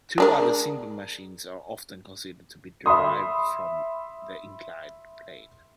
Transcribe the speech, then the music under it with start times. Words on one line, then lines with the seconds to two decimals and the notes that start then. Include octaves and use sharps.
Two other simple machines are often considered to be derived from the inclined plane.
0.18 G#3 D4 A#4
2.86 E5 B5 C6 D#6